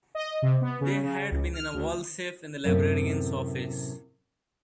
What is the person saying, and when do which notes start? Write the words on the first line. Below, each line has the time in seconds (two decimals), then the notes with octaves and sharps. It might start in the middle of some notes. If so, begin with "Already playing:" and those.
They had been in a wall safe in the Librarian's office.
0.15 D#5
0.42 C3
0.61 B3
0.81 C#3
1.03 C#3
1.31 C#2
1.53 F6
1.74 D2
2.64 F#2 A2 C3 B3 C4